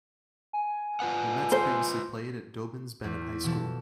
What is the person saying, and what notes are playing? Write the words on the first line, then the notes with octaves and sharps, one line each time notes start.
The Mets previously played at Dobyns-Bennett High School.
G#5
F4 B4 F#5
C5
E2
B2 E3 F3 A4